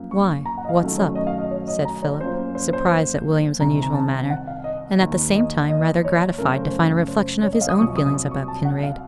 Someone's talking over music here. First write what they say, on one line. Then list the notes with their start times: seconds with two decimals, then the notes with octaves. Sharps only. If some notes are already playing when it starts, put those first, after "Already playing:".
'Why, what's up?' said Philip, surprised at William's unusual manner, and, at the same time, rather gratified to find a reflection of his own feelings about Kinraid.
Already playing: F#2 F3 A#3
0.11 C#6
0.46 A#5
0.58 F#5
0.65 D#5
0.69 F5
0.81 F#2 D#3 F#3 A3
0.98 C#5
1.15 D#5
1.27 F5
1.38 D#5
1.51 C#5
1.68 D#5
1.85 A#5
2.02 C#5
2.20 F#2 F3 A#3 C5
2.55 C5
2.73 C5
3.60 C2 C3 D#3 A#5
3.82 A#5
3.94 A5
4.30 F#5
4.47 F5
4.64 D#5
5.00 D#2 D#3 A#3
5.35 D#5
5.69 D#5
6.05 C#5
6.38 F#2 C#3 A3 A#4
6.57 C5
7.08 C5
7.43 C#5
7.53 D#5
7.61 F5
7.69 D#6
7.78 C2 A#2 F#3 C#6
7.97 D#6
8.14 D#6
8.31 C#6
8.48 A5
8.65 F#5
8.83 F5